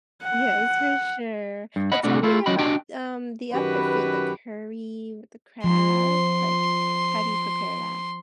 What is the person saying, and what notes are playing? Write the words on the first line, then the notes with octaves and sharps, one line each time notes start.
Yes, for sure, but tell me about, um, the other food, the curry with the crab, like, how do you prepare that,
F#5
G2
D#5 F#5 B5
C3 G3 A3 D4 F#4
A3 E4 F4
F#3 C#4 F#4 D#5 G5 B5
D4 F#4 G4 D#5 G5 G#5
F#2 D#3 F#4 G4 B4
F3 C6